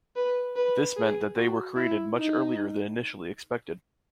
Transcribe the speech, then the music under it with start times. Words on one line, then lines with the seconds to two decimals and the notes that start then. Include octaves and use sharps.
This meant that they were created much earlier than initially expected.
0.16 B4
0.56 B4
0.97 G#4
1.36 F#4
1.76 E4
2.18 D#4